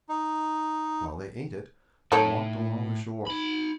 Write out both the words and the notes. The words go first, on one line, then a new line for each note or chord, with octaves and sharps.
While they ate it, they walked along the shore.
D#4
A2 D#4 A4 C#5
D#4 B5